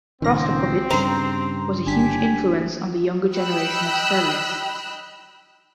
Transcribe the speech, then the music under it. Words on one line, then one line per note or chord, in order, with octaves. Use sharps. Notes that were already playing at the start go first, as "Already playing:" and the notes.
Rostropovich was a huge influence on the younger generation of cellists.
C#2 A#2 D#3 C4 C#4 A#6
G2 C#3 C5 A#5
G1 D4 G4 G#5 B6
D#5 G5 B5 E6 F#6